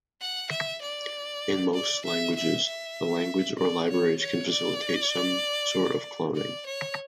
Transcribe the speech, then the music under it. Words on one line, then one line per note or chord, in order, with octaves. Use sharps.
In most languages, the language or libraries can facilitate some sort of cloning.
F#5
E5
D5
D5
E5
E5
E5
D5
C#5
C#5
D5
D5
C#5